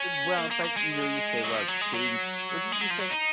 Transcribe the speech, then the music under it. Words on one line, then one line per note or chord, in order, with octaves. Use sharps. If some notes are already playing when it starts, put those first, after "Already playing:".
Ev well but, you know, you say, "Well, change" What did you say?
Already playing: C#4
A#3
A#3
A#3
G#3
F#3
F3
F#3
G#3
F#3
G#3
F#3
F3
F#3
D#4